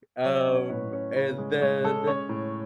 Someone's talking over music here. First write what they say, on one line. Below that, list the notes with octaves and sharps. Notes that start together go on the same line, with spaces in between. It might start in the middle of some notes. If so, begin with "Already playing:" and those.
Um, and then
F#3 C#5
D#5
C#4
C#5
A2 B4
C#4
C#3
G#3
G#3 C#5
G#3 A4
C#4 C#5
A2